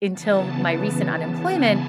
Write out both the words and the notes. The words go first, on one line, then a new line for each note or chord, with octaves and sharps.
until my recent unemployment,
C#3 E3 B3 A5
G#5